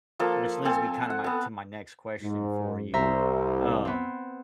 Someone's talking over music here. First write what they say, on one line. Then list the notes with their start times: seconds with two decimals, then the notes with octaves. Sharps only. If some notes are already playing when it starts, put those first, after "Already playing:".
which leads me kinda my to my next question for you, um
0.19 F3 A#3 A4
0.65 C4 A4 G#5
1.10 F#5
1.24 B3 A4
2.23 G#2
2.94 C2 C5 E5 A#5
3.85 B3 C4